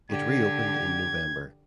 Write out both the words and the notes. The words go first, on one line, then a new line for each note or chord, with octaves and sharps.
It reopened in November.
D3 G4 G#6